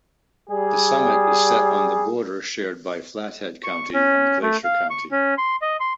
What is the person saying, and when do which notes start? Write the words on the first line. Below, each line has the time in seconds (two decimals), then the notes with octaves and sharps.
The summit is set on the border shared by Flathead County and Glacier County.
0.50 G3 G#4
3.64 C#6
3.94 C#4
4.42 A3
4.64 F5
4.90 C#6
5.11 C#4
5.38 C6
5.62 D#5
5.80 C6